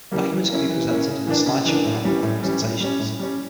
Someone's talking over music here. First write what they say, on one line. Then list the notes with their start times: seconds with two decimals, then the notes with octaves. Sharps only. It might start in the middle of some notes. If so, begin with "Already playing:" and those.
Documents can be presented in a slideshow environment for presentations.
0.12 C#3 E3 G3 A#3
0.31 E3
0.50 A#3 C#4 E4
0.69 E3
0.88 A#3 C#4 E4
1.07 C#3
1.27 E3 A#3 D4
1.46 C#3
1.65 E3 A#3 D4
1.85 A2
2.04 E3 G3 C#4
2.23 A2
2.42 E3 G3 C#4
2.62 A2
2.80 G3 C#4
3.00 A2
3.19 G3 C#4